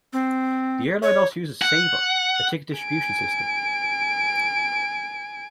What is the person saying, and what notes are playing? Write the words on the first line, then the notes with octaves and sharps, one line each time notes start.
The airline also uses Sabre, a ticket distribution system.
C4
C#5
F#5
G#5 D7